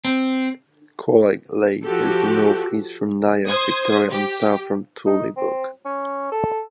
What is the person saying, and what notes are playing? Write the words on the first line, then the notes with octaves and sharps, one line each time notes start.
Koraleigh is northeast from Nyah, Victoria and south from Tooleybuc.
C4
F3 F#4 G4 A4
C5 D#6 G#6
G4
D#4
C4
C#4
A4